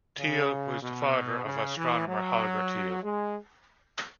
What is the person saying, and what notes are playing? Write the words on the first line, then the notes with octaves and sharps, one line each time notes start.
Thiele was the father of astronomer Holger Thiele.
C#3
B2
C#3
E3
F#3
G#3